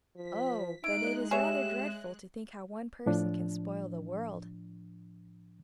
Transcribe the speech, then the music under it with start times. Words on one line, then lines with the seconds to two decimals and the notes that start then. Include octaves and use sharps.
Oh! but it is rather dreadful to think how one person can spoil the world!
0.16 F3 B6
0.84 G#3 D#4 E4 F#6 D7
1.31 G4 G#4 C#5 E5 E7
3.06 A2 F3 D4